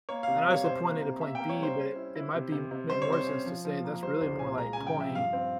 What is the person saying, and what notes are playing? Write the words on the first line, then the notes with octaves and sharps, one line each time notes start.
I know I said point A to point B, but it might be make more sense to say that's really more like, point
A#3 C#5
C3 F5
G3 C#5
C3 C5
A#3
C3
A#3 E5
A#3 G5
C#5
G3 C5
C#4
E4
E4
C3
C3
C3
G3 C5
C#5
C3 C5
C#4
F3
F3
A#3
G3 C5
C2 C5
A#2 G#5
G#3 A#5
C#3 G#5
G5
F3 E5
G2 F5
C4